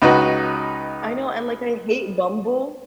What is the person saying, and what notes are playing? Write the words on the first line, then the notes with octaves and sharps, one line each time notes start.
I know, and, like, I hate Bumble.
C#2 D#4 F#4 B4